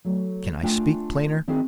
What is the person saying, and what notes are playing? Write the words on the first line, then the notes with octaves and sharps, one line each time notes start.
Can I speak plainer?
F#3 A3
A3 D4 F4 G5 G#5
D#3 C4 D4 E4 F#4 G#4